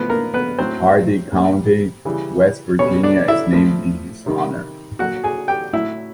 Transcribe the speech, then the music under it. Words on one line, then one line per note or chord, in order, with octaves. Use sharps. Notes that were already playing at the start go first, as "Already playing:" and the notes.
Hardy County, West Virginia is named in his honor.
Already playing: A2 F3 B3 B4
A#3 A#4
B3 B4
A2 F#3 C4 C5
A#2 G3
C#3 E3 G3
B2 G3 C#4 C#5
D4 D5
E4 E5
A2 F3
C3 D#3 G3
A#2 F#3 F#4 F#5
G#4 G#5
G4 G5
A2 F#3 E4 E5